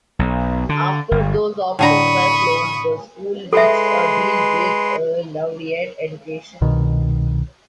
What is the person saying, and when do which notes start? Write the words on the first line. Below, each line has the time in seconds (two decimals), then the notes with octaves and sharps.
After those options were closed, the school reached a deal with Laureate Education.
0.19 B1
0.69 D3
1.11 G1
1.79 A2 D3 A#5 B5 C#6 D#6
3.53 G#3 A4 B4 E5 C6
6.61 C2 B2 D#3